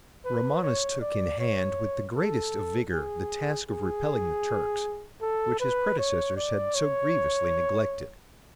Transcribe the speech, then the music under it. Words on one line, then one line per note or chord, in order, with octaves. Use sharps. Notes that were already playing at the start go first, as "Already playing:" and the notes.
Romanus took in hand with the greatest vigour the task of repelling the Turks, which his predecessor had so grievously neglected.
B4
C#5
D5
C#5
A4
G#4
G#4
A4
B4
C#5
D5
C#5